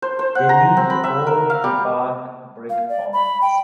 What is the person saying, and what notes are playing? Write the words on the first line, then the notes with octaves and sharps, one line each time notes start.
Delete all debug breakpoints.
C5
C5
F#5
A#5
C4
B5
E5
A#4
F5
G3
F5
D5
B5
G5